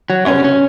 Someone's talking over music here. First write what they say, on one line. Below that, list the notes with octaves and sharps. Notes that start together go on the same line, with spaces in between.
Oh yeah.
F#3
C#4
C#4